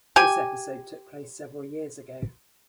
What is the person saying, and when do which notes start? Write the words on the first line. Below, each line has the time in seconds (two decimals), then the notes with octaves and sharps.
This episode took place several years ago.
0.16 G4 G#5